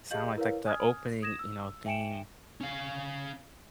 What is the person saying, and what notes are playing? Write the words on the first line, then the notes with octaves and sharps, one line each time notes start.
sound like? Like, the opening, you know, theme
G4 G#4 D#5 F5 G6 F#7
E4 A#4 B4 C#5 F5
G#5 D#6 F6 G#6
D#6 G#6 A#6 E7
E6
E5 G5 G#5 C#7 D7 E7
C#4 F5